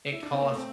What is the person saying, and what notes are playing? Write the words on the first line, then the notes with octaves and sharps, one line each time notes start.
it costs
E4
D4
C4
A#3
A3
C4